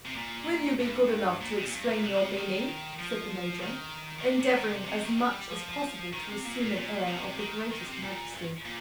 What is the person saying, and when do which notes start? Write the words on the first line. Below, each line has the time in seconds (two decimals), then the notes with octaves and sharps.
"Will you be good enough to explain your meaning?" said the major, endeavoring as much as possible to assume an air of the greatest majesty.
0.06 C3
0.16 A#2
0.79 G2
1.41 A#2
1.57 C3
1.65 A#2
1.73 G2
1.88 A#2
2.04 C3
2.15 D#3
2.20 C3
2.36 D#3
2.99 F3
3.62 D#3
4.19 D#3
4.24 C3
4.40 C3
4.51 F3
4.55 D#3
4.71 C3
4.87 C3
5.03 D#3
5.19 G3
5.50 F3
6.13 D#3
6.29 C3
6.45 A#2
6.61 A#2
6.76 A#2
7.07 C3
7.39 D#3
7.71 D#3
7.86 C3
8.02 A#2
8.34 G2
8.65 A#2